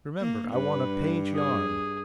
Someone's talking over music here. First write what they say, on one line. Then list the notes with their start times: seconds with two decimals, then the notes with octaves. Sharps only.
Remember, I want a page yarn.
0.21 A#3
0.53 G2 B4
1.35 G#4